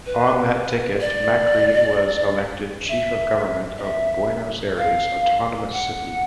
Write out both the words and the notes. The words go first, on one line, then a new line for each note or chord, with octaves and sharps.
On that ticket, Macri was elected Chief of government of Buenos Aires Autonomous City.
B4
D5
E5
D#5
E5
F5
F#5